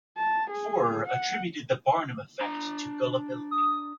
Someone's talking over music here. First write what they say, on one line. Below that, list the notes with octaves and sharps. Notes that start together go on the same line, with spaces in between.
Forer attributed the Barnum effect to gullibility.
A5
G#4
F#5
D4 A#5
D#6